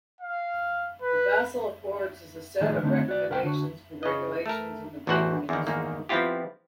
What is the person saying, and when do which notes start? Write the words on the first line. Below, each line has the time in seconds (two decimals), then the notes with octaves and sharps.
The Basel Accords is a set of recommendations for regulations in the banking industry.
0.21 F5
1.02 B4
2.61 A2 D#3 F3 G#3 D#4 G#4
2.83 D3 A3 B3 C4 D#4
3.08 F#4 D5
3.30 C2 A#4 F#5 G5
3.44 D3 F#4
4.03 C#3 D#5
4.46 A3 A#4
5.07 A1 E2 E4 F#4 C5 F#5
5.49 E2 D#3
5.67 E2 G#2 D#3 A#3
6.09 F3 B3 C4 E4 F4 G4